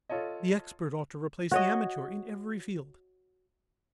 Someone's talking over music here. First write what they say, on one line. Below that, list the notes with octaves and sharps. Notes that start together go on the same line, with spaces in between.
The expert ought to replace the amateur in every field.
F4 A4 C#5 D#5
F#4 C#5 D#5